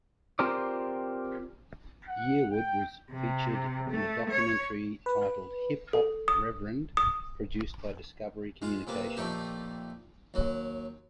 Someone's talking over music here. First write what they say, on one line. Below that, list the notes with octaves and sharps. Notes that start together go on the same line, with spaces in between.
Yearwood was featured in a documentary titled "Hip Hop Reverend" produced by Discovery Communications.
C4 F4 G4 A#4 C5 D5
F#5
G5
C3
A3
C#5
B4
A4
D#6
D#6
G#3 F4
C3 A#3 B3
F2 A#2 A3 D#4 G4
D#2 F#3